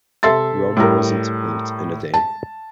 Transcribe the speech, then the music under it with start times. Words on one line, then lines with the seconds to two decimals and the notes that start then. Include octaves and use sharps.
Rome wasn't built in a day.
0.23 C3 A4 E5 C6 A6
0.77 A2 G3 A#4
2.14 A5